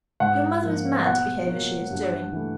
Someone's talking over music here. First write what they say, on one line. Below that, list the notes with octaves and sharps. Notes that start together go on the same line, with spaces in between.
Your mother is mad to behave as she is doing.
G#2 F#5
F3 A#3
B2 F#5
F#3 A#3
G2
E3 A3